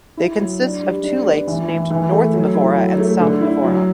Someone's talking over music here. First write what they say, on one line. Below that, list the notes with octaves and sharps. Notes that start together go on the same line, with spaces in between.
They consist of two lakes named North Mavora and South Mavora.
E4
F#3
D4
G3
D4
B3
E3
E3
E3
A3
F#3
E4
F#3
A3
D3
E4
F#3